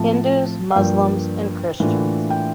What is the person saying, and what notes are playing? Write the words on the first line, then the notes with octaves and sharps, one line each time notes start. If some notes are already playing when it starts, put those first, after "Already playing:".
Hindus, Muslims and Christians.
Already playing: A2 F3 C4 A5
F5
G2 F3 A#3 D4 G5
A2 E3 A#3 D4 F4
G5